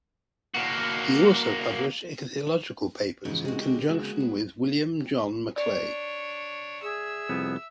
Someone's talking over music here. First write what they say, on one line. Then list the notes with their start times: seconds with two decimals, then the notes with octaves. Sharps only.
He also published ichthyological papers in conjunction with William John Macleay.
0.55 A#3 F#4
3.25 G#2 C#3 E3 F3
3.45 G#3 F#4
3.61 D3 G4
3.89 C#3 G#3 A#3 F#4
4.20 B3
5.56 D4 C#5 D5
6.82 G#4 E5 E6
7.29 C2 F2 B3